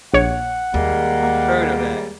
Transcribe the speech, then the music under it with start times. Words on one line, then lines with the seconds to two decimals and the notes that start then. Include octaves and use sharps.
I heard of that
0.14 A#1 C#5 F#5
0.74 D#2 G3 G#3 A#3